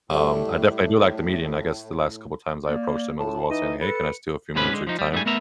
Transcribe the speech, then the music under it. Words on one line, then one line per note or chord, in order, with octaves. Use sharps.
um, I definitely do like the meeting. I guess the last couple times I approached him, it was while saying, "Hey, can I steal a few minutes of your time?"
A2 G3 A3
A#3 D5
A2 A5
E3 D#4 D#5
A4 B4 C#7
G#2 C3 C#4 B4 B5
D3 G#3
F3 D#4
G3
G#2 G3 A3 G#5
A3 B3 A#4 E5 A#5